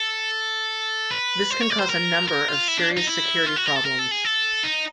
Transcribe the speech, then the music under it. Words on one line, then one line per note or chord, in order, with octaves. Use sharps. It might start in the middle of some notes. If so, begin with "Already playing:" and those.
This can cause a number of serious security problems.
Already playing: A4
B4
C5
C#5
D5
C5
A#4
A#4
F4
E4
D4
D#4
E4
F4
F#4
A#4
A4
A#4
A4
G#4
A4
D#4